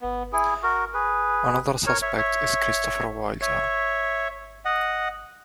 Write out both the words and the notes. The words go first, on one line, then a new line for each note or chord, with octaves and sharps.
Another suspect is Christopher Wilder.
B3
E4 G#4
F#4 A#4
G#4 B4
A#4 C#5
C#5 E5
C#5 E5
C#5 E5
D#5 F#5